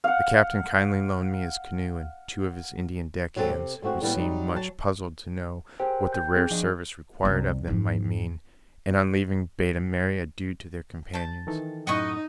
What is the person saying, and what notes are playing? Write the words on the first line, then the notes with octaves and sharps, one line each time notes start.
The captain kindly loaned me his canoe and two of his Indian deck hands, who seemed much puzzled to know what the rare service required of them might mean, and on leaving bade a merry adieu to their companions.
F5 F#5
F#3 G#3 C4 A4
C3
G#3 A3 C4 F#4
A2 C#3 E3 G3 A#3 B3
F#3 G3 D#4
F#3 A5
G4 G#4 A#4 C5 G5
G5 G6
C4 G#4
F3 D4 D#5
C2 C#4
G#2 F3
A5 G6
D#3 E3 A4
F#2 A2 D#4 D#5 F#5 B5 C#6